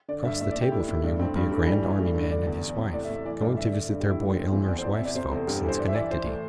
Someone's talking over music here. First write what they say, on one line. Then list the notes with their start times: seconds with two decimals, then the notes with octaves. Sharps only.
Across the table from you will be a Grand Army man and his wife, going to visit their boy Elmer's wife's folks in Schenectady.
0.08 D3 D5
0.24 G2 E5
0.41 A2 E5
0.51 D5
0.56 A2 G4
0.72 A2 E4
0.88 A2 E4
1.04 G2 D4
1.19 G2 C4
1.36 G2 G3
1.51 G2 A3
1.67 E3 G3
1.83 E3
1.98 G2 A3
2.14 G2
2.20 D4
2.31 D3 D5
2.47 E2
2.63 E2
2.78 C3
2.93 A2 D5
3.05 E5
3.10 A2
3.15 E5
3.25 E3 D5
3.41 G2 D5
3.57 D3 E5
3.72 D3 D5
3.89 G2 A4
4.00 G4
4.05 G2 E4
4.20 A2 D4
4.36 A2 C4
4.52 E3 C4
4.68 E2 D5
4.78 C5
4.84 E3 D5
4.94 E5
5.00 C3
5.05 D5
5.15 C3 C5
5.31 E2 A4
5.47 G2 G4
5.58 A4
5.63 E3
5.68 C5
5.78 E3 D5
5.88 E5
5.95 E3 D5
6.11 E3 C5
6.26 A2